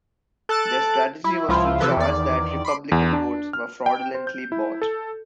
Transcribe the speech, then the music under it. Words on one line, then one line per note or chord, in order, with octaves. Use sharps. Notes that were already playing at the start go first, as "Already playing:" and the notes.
Their strategy was to charge that Republican votes were fraudulently bought.
A4 A5 F#6 A6 D7
E4
C#2 F3 E4 F4
C3 E3 F3 A4 B4
E2 D#3 D5
B5 C6 D6 C7
E2
D4
F6
G5
C5
G6
E4
A4